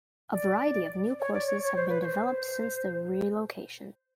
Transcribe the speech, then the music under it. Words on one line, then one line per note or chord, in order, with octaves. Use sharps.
A variety of new courses have been developed since the relocation.
D5
C#5
D5
C#5
C#5
C5
B4
C#5
C5